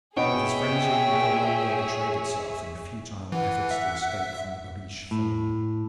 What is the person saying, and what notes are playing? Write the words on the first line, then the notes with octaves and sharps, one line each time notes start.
But his frenzy no longer betrayed itself in futile efforts to escape from the babeesh thong.
B2 G#4 C#5 E5 G5
E3 F#5
E5
A2